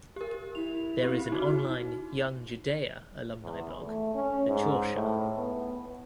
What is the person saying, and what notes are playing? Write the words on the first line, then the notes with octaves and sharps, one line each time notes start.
There is an online Young Judaea alumni blog, the Chorsha.
G4 A#4
E4 F7
C4 G4
D#4 F#4
E2
A3
C#4
G#2
A2
B3